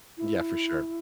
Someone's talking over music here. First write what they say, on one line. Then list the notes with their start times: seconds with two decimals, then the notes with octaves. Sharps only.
Yeah, for sure.
0.18 E4